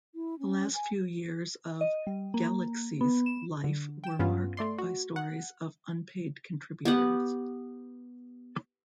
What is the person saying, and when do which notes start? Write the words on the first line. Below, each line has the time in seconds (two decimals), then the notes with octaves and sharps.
The last few years of "Galaxy"s life were marked by stories of unpaid contributors.
0.15 E4
0.39 C#4
0.74 G#5
1.81 D#5
2.07 G3
2.34 A#3
3.01 B3
3.26 E7
3.64 D3
4.04 G5 E7
4.19 G2 B3 C#4 F4
4.57 A3 D5 C6
4.78 F#4
5.16 F#5
6.85 B3 G4 F#5